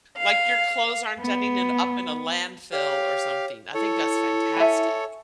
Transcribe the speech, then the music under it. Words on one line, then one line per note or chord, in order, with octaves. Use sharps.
Like, your clothes aren't ending in up in a landfill, or something. I think that's fantastic.
F5
B3
G4 C#5 F5
E4 A4 C#5
E5 G#5